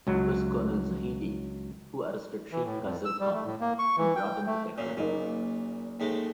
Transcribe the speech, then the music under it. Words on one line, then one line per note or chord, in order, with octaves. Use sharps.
It was Colonel Zahedi who arrested Sheikh Khaz'al Khan and brought him to Tehran.
C#2 F#3
E3
A2
F2
E6
G3
A3
A2
A#3
C#6
E3
G5
A3
F#2 A#2
F#1 A#2 A#3 D#4
D#2 G#3 A3